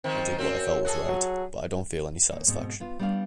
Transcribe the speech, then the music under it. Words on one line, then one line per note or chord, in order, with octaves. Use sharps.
I did what I felt was right, but I don't feel any satisfaction.
D#3 F3 C4
F#2 C4 C#4
F#4 G#4 A4
F#3
D#2
G#2 B2 C4
B3 F4
G3 B3 D4 B4 F5